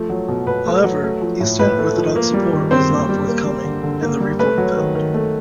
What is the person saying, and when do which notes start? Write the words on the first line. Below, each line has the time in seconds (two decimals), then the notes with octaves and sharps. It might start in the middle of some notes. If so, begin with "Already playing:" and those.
However, Eastern Orthodox support was not forthcoming, and the reform failed.
Already playing: F3 A3
0.10 F#3
0.28 B2
0.47 B2 B4
0.66 A3
0.84 F#3
1.03 A3
1.22 F3
1.40 A2
1.59 A2 B4
1.78 A3
1.96 F3
2.16 A#3
2.34 G3
2.53 D#3
2.71 D#3 C4 C5
2.90 A#3
3.09 G3
3.27 A#3
3.46 G3
3.64 D3
3.83 D3
4.02 A#3
4.20 G3
4.39 A3 B4
4.58 F#3
4.77 D#3
4.95 D#3
5.14 A3